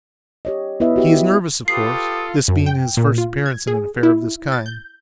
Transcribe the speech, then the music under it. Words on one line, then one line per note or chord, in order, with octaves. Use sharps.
He is nervous, of course, this being his first appearance in an affair of this kind.
G4 C#5 D#5
B3 E4 B4 D#5 E5
F#4 G4 E5
F4 G4 A4 B4 D#6 C7
F#2
G5
A#2
F4
G#6
G#4
E4
A6
G6